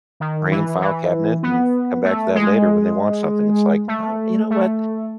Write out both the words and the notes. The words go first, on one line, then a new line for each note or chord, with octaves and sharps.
brain file cabinet and come back to that later when they want something," it's like, "I you know what?
D#3
E3
E3
B3
A3
G#3
A3
A3